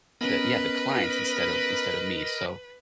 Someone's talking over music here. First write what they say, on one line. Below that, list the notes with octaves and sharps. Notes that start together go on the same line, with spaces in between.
the yeah, the clients instead of instead of me, so
B3 C#4 A#4 B4 D#5 B5